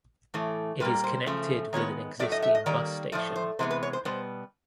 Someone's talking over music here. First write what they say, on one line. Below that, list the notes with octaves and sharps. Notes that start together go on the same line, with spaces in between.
It is connected with an existing bus station.
A2 E3 A3
A#2 G3 A#3 B4
C5
C#3 F3 A3
D#3 G#3 B3 C#5
A2 F#3 A3 D5
D#5
E5
D#5
D#3 G3 A#3 D5
A2 F3 A3 D5
C5
C3 E3 G#3 B3 C5
B4
C#5
C5
B2 G3 B3 C5